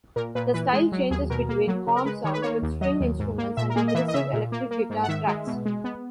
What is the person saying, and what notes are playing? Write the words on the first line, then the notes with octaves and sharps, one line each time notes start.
The style changes between calm songs with string instruments and aggressive electric guitar tracks.
A#2 A#4
A#2 B4
E3 B4
G#3 G#4
F#3
D#2 G#4
B2 A#4
A#3
F#3
C#3
A#4
G#3 B4
D#3 C#5
B4
A#3 C#5
D#2
F#3 D#5
D#2
G#2
A#3
A#2 E5
A#4
A#3 G#4
D#5
E3 E5
D#5
C#3 E5
A#2
A#3
A#3
G#2
F#5
D#3 E5
G#3
B2
G#3
B3